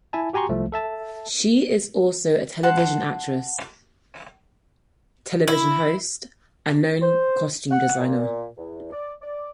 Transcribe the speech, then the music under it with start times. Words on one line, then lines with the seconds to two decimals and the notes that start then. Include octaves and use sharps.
She is also a television actress, television host and known costume designer.
0.13 E4 E5 G#5 A5
0.33 F#4 G4 G#5 A#5 C6 C#6
0.49 C2 F3 A3
0.72 A4 E5 A5
2.63 F#5 A5 C6
5.48 E4
7.02 C5
7.71 F#5
7.99 A#2
8.58 E2
8.92 D5
9.22 D5